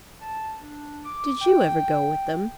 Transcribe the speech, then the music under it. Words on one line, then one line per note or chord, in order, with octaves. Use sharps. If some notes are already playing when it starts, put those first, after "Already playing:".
Did you ever go with them?'
A5
D4
D6
G5